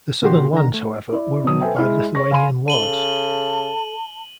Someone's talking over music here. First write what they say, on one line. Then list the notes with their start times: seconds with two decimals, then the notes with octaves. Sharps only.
The Southern lands however were ruled by Lithuanian lords.
0.22 A#2 D3 A#3 F#4 G4 C6
0.53 D3 D#3 A#5
0.74 A3
1.12 E4 D5
1.44 B2 F#3 D#6
1.61 A4 B4 C5 E5 G5 G#5
1.76 G#3 E4 F6
2.15 C#5 C#6 A#6
2.31 F5 G#5 B5 C6 D#7
2.68 C#3 A4 A5 D#7 F#7 G7